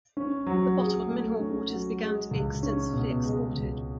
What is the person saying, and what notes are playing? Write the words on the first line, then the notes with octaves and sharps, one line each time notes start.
The bottled mineral waters began to be extensively exported.
C#4
F#3
G#4
A3
C#4
F#3
G#3
C#2
C#4
B2
G#3
C#2